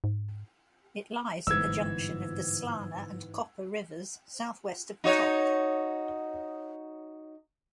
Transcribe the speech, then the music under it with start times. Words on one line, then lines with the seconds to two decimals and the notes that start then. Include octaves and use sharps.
It lies at the junction of the Slana and Copper rivers, southwest of Tok.
0.04 G#2
1.47 G1 G#2 C3 E3 E6 G#6
5.04 D#4 F#4 C#5